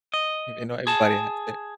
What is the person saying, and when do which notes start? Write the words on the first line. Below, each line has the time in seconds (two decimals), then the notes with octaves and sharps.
If You know, everybody has to
0.14 D#5
0.87 G#4 A5